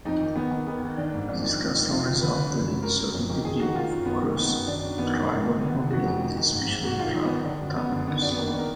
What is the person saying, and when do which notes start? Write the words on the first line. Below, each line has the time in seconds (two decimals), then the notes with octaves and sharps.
This custom resulted in a certain degree of cross-tribal mobility, especially in troubled times.
0.05 F2 D#4
0.21 D#3
0.36 D#3 B3
0.51 D#3
0.67 D#3 B3
0.83 D#3
0.97 D#3 D4
1.14 G#2
1.28 F2 D4
1.44 D#3
1.60 F2
1.75 D#3
1.90 F2 F4
2.05 D3
2.21 D3 B4
2.36 D3
2.51 F#2
2.68 F#2
2.83 F#2 A#4
2.98 F#2
3.13 F2
3.29 D#3
3.45 D#3 G#4
3.59 D#3 F#4
3.75 D#3 F4
3.91 F#2
4.06 D#3 B3
4.22 D#3 A#3
4.36 D#3 B3
4.52 F#2 B3
4.67 D#3 D4
4.83 F#2
4.98 D#3 B3
5.14 D#3
5.29 G#2 A#3
5.44 D#3
5.60 D3 B3
5.75 D3
5.91 F2 F#4
6.06 F2
6.22 D#3
6.37 D#3
6.53 G#2
6.68 G#2
6.84 G#2 F#4
6.99 D#3 F4
7.14 D#3 D#4
7.25 B3
7.30 D#3
7.45 D3 D4
7.61 F#2
7.76 F#2 B3
7.92 D3
8.07 D#3 B3
8.22 F#2 D4
8.31 B3
8.37 D#3 A#3
8.48 B3
8.54 D#3 A#4